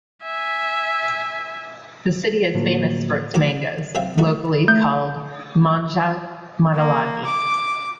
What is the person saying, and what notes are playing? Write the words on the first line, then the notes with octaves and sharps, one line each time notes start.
The city is famous for its mangoes, locally called "mangga manalagi".
E5 G#5
A2 D3 F3 F#3 A#3
D2 F#4 A#5 D6
C2 F#3 C4 E5 F5 G5
A3 D#4 F#4
A3 G6
A#3
D6